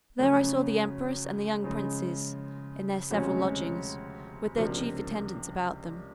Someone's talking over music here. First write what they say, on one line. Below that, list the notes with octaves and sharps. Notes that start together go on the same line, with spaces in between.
There I saw the empress and the young princes, in their several lodgings, with their chief attendants about them.
F#2 C#3 F3 A3 C#4
C#3 F3 G#3
D2 C3 F3 G#3 C#4
C#2 C3 F3 A#3 D4